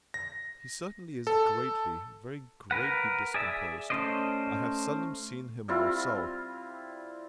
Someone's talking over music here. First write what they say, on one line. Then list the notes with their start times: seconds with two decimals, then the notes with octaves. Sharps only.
He certainly is greatly, very greatly discomposed; I have seldom seen him more so.
0.14 A#6
1.27 A4
2.71 A#4 B4 F#5
3.34 G#4 D5 E5
3.90 A3 C#4 C5 D5 D#5
5.68 G3 C4 E4 F4